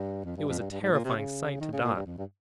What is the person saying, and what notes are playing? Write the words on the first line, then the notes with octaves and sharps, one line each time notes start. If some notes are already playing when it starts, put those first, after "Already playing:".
It was a terrifying sight to Dot.
Already playing: G2
F2
G2
F2
G2
G2
G#2
A#2
C3
C#3
D#3
C#3
A#2
G2
F2
G2